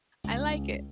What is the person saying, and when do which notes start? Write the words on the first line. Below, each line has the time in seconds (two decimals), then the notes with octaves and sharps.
I like it.
0.24 C#2